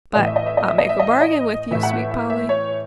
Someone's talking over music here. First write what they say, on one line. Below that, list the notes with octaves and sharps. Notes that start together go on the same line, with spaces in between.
But I'll make a bargain with you, sweet Polly.
A2 E3 D#5
E5
D#5
E5
D#5
E5
D#5
E5
D#5
E5
D#5
A2 E3 E5
F#5
E5
E5
E5
C#5